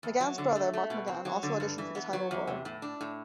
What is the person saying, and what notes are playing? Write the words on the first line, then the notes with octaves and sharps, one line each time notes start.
McGann's brother, Mark McGann, also auditioned for the title role.
E2
F#3
D3
A3
A3
B2
C4
F#3
D3
G2
E3
B3
F#3
E2
C3
A2
D4
A2